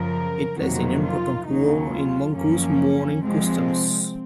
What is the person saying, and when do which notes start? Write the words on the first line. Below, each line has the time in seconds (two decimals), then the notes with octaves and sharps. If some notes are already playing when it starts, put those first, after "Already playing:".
It plays an important role in Manchu's mourning customs.
Already playing: F#2 C#3 F3 A#4
0.58 F2 C3 D#3 F#3 A#3 F#4
1.02 F4
1.46 D#2 C#3 F#3 D#4
1.90 F4
2.34 F#2 F3 A#3 C#4
3.22 C3 F3 G#3 C4